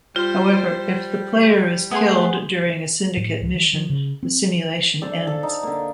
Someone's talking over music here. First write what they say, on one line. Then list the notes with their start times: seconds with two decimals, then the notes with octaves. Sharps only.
However, if the player is killed during a syndicate mission, the simulation ends.
0.16 G3 F4 C5 C6
1.91 A3 B3 G#4 C6
3.17 A2
3.41 C#2
3.54 E3
3.73 F3
3.90 C#3
4.23 C4
5.01 D4 A4 C5
5.13 F5
5.27 A4
5.43 D#4
5.63 D3 A#3